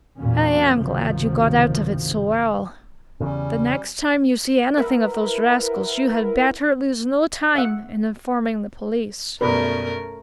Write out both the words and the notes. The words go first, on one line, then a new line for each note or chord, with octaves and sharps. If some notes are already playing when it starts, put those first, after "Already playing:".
"I am glad you got out of it so well. The next time you see anything of those rascals you had better lose no time in informing the police."
E2 A#2 F#3 A#3 C#4
G1 C#2 C3 D#3 F3 F#3
E2 C#3 G3 C#4
E4 A#4 B4 E5 F#5
E5 F#5
F#2 B2 G3 A3 C#4 A#4 B4